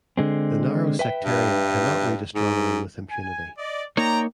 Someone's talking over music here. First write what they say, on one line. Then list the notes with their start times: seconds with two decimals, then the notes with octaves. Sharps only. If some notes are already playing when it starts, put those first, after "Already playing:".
The narrow sectarian cannot read astronomy with impunity.
0.17 D3 G#3 C4
0.99 B4 E5 G5
1.23 G2
2.35 G#2
3.10 G#5
3.58 D5 D#5
3.97 A#3 D#4 C#5 D5 G5 A#5